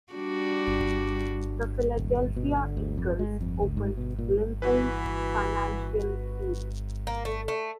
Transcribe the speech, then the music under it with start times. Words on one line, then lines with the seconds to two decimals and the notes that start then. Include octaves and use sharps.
The Philadelphia Eagles opened Lincoln Financial Field.
0.13 G3 D4 F#4
1.97 D#1
2.37 B2
2.57 D3
2.77 D2
2.98 F2
3.19 G#3
3.41 F2
3.63 C#2
3.77 G#2
3.98 B2
4.19 A#2
4.62 E3 F#4 B4
7.07 A#3
7.25 A3
7.48 A3